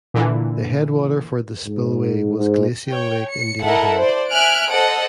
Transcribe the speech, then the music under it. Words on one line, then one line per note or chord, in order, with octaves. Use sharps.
The headwater for the spillway was glacial Lake Indian Head.
A#2 D3 E3
G#2
G#2
C#5 G5
C#7
E4 A4 A#4 D#5 F#5
C5 D5
E5 G#5 F6 F#6 D7
A4 C5 D#5 F#5